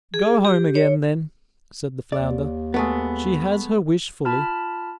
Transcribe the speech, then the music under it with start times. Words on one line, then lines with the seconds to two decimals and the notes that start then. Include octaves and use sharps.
"Go home again, then," said the flounder; "she has her wish fully."
0.14 G#4
0.45 G4
0.75 C#5
2.12 D#2 D5
2.74 G#3 A3 B3
4.25 F4 A5 B5 F6